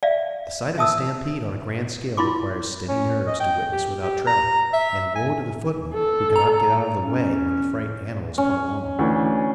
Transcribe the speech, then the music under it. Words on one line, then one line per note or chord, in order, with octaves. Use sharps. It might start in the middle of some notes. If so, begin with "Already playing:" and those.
The sight of a stampede on a grand scale requires steady nerves to witness without tremor; and, woe to the footman who cannot get out of the way when the frightened animals come along.
D5 E5 F5
E5 A5 D#6 E6
E4 F4 B5 C6 D6
C#4
D#5
G5
G4
G4
A#5
E5
G#5
A4
A#5
C#4
C#4
D2 E3